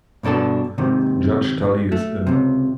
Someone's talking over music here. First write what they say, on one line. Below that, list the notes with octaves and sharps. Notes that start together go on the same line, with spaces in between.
Judge Tully is in.
G2 B2 D4 A4 A5
G#2 C3 D#3
A3
C#2 C3